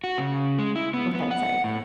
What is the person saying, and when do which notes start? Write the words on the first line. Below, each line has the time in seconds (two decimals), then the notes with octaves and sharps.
Go ahead, sorry.
0.04 F#4
0.18 C#3
0.59 G#3
0.75 E4
0.94 B3
1.15 B3
1.31 F#5
1.64 A2